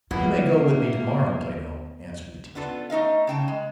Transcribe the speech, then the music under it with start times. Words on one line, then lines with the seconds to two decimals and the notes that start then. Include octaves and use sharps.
"You may go with me to-morrow, Plato," answered the teacher.
0.11 A#3 B3 E4 F4
2.55 B3 D4 F4 A4
2.90 A3 D#4 D#5 F5
3.27 C#3 G5 A5
3.48 G#3